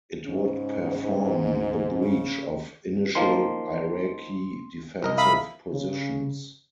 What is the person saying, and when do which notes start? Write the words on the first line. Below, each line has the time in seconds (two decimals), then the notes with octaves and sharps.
It would perform the breach of initial Iraqi defensive positions.
0.26 G#2 C#3
2.02 C#3
3.15 D#3 F3 A#3 C6
5.02 C2 A#4 D#5
5.18 E5 F5 B5 D#6
5.72 C#3